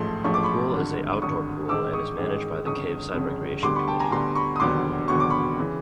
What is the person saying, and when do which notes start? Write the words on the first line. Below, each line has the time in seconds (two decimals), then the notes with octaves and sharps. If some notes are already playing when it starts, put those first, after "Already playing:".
The pool is a outdoor pool and is managed by the Caveside Recreation Committee.
Already playing: A1 G#2 F3 A3 C6
0.24 A1 G#2 F3 A3 C#6
0.34 D6
0.43 B5 C#6
0.73 G#1 G2 D3
1.22 G#1 G2 D3 C#6 D#6
1.69 A1 G#2 D#3 G#3 D6 E6
1.93 C#6 D#6
2.18 A1 G#2 D#3 G#3
2.66 G1 F2 C#3 C#6 D#6
3.14 G1 F2 C#3
3.63 D2 D3 G3 B3 C6 D6
3.75 B5 C#6
3.88 G5 A5
3.99 G#5 A#5
4.11 D2 D3 G3 B3 A#5 C6
4.35 B5 C#6
4.56 D#6
4.60 E1 D#2 D3 F#3 B3 C6 D6
5.08 E1 D#2 D3 F#3 B3 C#6
5.20 D6
5.30 B5 C#6
5.58 C#3 E3